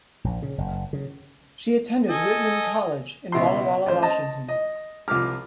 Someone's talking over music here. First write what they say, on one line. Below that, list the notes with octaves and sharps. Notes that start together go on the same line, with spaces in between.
She attended Whitman College in Walla Walla, Washington.
A#1
C#3
F#1
C#3
A4 D#5 G#5
C#2 B2 E4 C6
A1 C5
D#5 A5
D#5
C2 F3 D6 F6